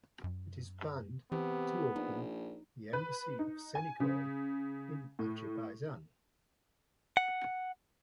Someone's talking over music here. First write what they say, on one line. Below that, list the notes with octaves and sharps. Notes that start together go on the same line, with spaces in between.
It is planned to open the Embassy of Senegal in Azerbaijan.
F#2
C3 E3 B3
A#1 D#4
B4
D#4
G#5
C#3
A2
F#5